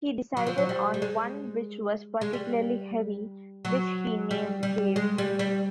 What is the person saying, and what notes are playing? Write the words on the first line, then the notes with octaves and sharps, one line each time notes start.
He decided on one which was particularly heavy, which he named Dave.
F#3
F3
F#3
G3
G3
G#3
G#3
G3
F#3
G3
G3
G#3
G3
G3